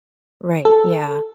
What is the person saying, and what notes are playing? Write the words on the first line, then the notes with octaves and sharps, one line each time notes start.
Right, yeah.
A4